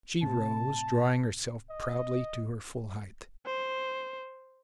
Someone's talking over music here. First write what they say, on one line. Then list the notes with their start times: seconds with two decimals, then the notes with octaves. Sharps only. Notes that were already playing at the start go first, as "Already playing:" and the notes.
She rose, drawing herself proudly to her full height.
0.23 A2 C3 A5
1.70 D#5
3.47 C5